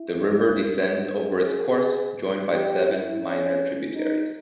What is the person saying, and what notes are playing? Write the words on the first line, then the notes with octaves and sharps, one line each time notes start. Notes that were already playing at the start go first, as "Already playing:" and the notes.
The river descends over its course, joined by seven minor tributaries.
Already playing: E4
G#4
G4
E4
C#4
D#4